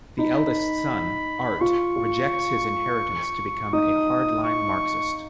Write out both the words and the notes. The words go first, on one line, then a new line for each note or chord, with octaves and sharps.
The eldest son, Art, rejects his inheritance to become a hard-line Marxist.
D#4 B5
F4 C#6
F4
D#4 D#6
C#6